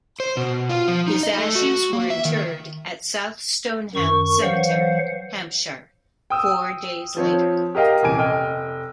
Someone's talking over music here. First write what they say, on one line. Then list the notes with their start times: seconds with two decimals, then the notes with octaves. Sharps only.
His ashes were interred at South Stoneham Cemetery, Hampshire, four days later.
0.20 C5
0.37 B2
0.69 F4
0.88 F3
1.08 D#4
1.23 D#5
1.37 A3
1.55 F#4
1.93 A#3
2.10 E5
2.25 D#3
3.95 F#2 D#3 C#6
4.42 E3 F#3 C5 F5 F#5
6.30 G5 D#6 E6
7.17 F3 C4 C#5
7.75 G4 A#4 D#5 F5 G5
8.02 D#1 C3 E3 G#5 D7
8.18 F1 D#5 G5 F6